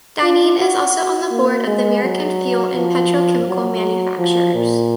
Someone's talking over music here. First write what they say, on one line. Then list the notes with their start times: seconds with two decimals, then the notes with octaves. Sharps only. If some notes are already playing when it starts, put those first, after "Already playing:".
Dineen is also on the board of the American Fuel and Petrochemical Manufacturers.
0.23 F4
0.59 F#4
1.31 A#3
1.67 G#3
2.03 F#3
2.75 F3
3.47 F#3
4.18 F3
4.54 A#2